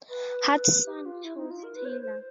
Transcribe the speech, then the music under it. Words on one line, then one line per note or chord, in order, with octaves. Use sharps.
Hudson chose Taylor.
B4
G4
F4
E4
D#4
F4
A#4
B4
C#5
C5
C5